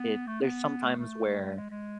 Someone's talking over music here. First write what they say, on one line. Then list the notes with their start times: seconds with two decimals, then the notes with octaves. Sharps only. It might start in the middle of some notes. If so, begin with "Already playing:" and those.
it there's sometimes where,
Already playing: B3
0.27 A3
0.41 B3
0.84 A3
0.98 A3
1.41 G#3
1.56 G#3
1.70 G#3